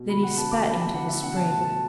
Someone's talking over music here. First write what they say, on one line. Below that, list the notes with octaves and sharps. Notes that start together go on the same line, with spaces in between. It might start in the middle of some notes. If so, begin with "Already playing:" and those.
Then he spat into the spring.
Already playing: B2
D3 B5
F#5
B3 A5
D6
B3 B5
A5
D3 F#5
E5
B2 F#5
A5
A3 A5
A5